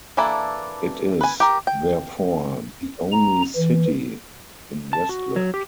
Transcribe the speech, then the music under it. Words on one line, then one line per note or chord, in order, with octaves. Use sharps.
It is therefore the only "city" in Westland.
E3 A#3 D4 E4 A4
B4 G#5
G4 A#4
G5
A#5
E3
A5
F#4
F#3
G4